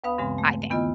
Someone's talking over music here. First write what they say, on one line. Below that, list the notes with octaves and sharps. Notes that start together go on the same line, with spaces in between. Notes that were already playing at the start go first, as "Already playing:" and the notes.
I think.
D2 B3 B4 F5 B5 D#6
G2 C#3 E3 G#3 C4
A3
D#2 D#3 B3 E4 F4 D#5